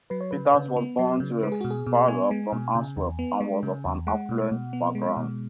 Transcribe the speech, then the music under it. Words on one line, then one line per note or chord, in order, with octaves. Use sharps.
Peters was born to a father from Antwerp and was of an affluent background.
F#3 B4
C#5
C#3 B4
C#3
B3
F#3
C#3
G#3 B4
G#4
B2 F#4
G#4
B2
B3 G#5
G#3
B2
C#3
E2
B3
G#3
C#3
E2
G#3 F#5
B2
B2
B3
G#3
B2